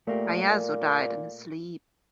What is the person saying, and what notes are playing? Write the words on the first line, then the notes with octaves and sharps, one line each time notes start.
Caiazzo died in his sleep.
A#2 A3 A#3 G4